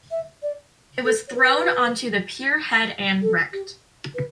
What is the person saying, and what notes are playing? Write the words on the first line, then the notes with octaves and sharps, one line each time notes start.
It was thrown onto the pierhead and wrecked.
E5
D5
A4
C#5
B4
A4
G4
B4